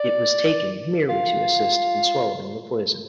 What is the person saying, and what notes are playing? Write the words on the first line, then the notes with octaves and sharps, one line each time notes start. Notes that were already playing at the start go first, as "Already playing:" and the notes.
It was taken merely to assist in swallowing the poison.
Already playing: D5
F4